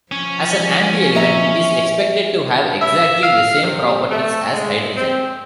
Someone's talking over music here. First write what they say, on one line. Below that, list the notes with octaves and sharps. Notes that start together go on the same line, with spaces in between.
As an antielement, it is expected to have exactly the same properties as hydrogen.
F3 C#4
D#5 E5 A#5
E5
F5
C3
A3
G#3
C4